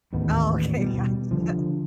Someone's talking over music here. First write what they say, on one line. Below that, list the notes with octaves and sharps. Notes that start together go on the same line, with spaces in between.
oh okay, gotcha.
A1 D#2 G#2 B3
B2 G3
D3 F3